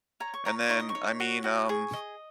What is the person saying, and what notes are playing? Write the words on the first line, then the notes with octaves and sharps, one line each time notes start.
And then I mean, um.
C#5 A#5
C#6
C#5 A#5
D#4 C#6
D#6
C#6
C#5
F#4
F#4
G#4 C#6
D#5